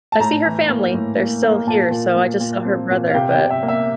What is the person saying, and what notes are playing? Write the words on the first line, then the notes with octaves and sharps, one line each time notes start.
I see her family, they're still here, so, I just saw her brother but
A5
A2 A#5
E3
A#3
A2
A#3
A#3
A#2 A5
A#2
A#2
A#2
C4
A#2
F5
C3 G5
G5
C3
E5
A#3
E5